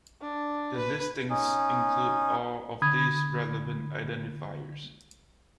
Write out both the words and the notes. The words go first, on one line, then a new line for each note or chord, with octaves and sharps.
The listings include all of these relevant identifiers.
D4
B4
C#4 D#4
D3 B5 D#6 G#6